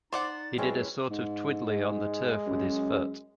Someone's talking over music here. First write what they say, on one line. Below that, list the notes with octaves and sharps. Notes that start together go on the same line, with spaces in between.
He did a sort of twiddly on the turf with his foot.
D#4 C5 D5 F#5 A6
F#3 G#3 C4 C#4 E4 B4
G#2
G#3
F#2